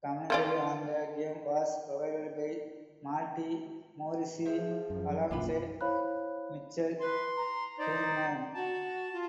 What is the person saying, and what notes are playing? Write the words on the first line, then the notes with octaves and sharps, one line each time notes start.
Commentary on the game was provided by Marty Morrissey alongside Michael Duignan.
D#3 F4 D5
F3 G#4 C5 E5
F#2
B1 F#2 A#2 D4 F4 B5
E4 C5 C#5 F5 B5 F#6
B4 C6
A#5
D#4 C5 D5
F#4 A5
F4